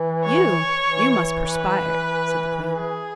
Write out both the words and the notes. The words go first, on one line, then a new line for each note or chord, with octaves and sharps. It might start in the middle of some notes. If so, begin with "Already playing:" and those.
"You! you must perspire," said the Queen.
Already playing: E3
C#5
E3
B4
G#4